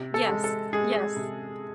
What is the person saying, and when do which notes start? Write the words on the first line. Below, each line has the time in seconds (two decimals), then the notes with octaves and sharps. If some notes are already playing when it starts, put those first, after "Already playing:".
Yes, yes.
Already playing: C3
0.14 A4
0.29 G#3
0.44 A4
0.73 G#3 G#4
1.17 C3